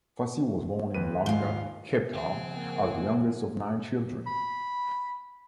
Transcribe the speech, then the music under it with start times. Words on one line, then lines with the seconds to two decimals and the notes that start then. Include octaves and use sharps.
Fassie was born in Langa, Cape Town, as the youngest of nine children.
0.94 D#2 B4 D#7
1.26 G#2 F4
2.13 C#3 F3 C4 F#5 G#5
2.55 A#3
4.26 B5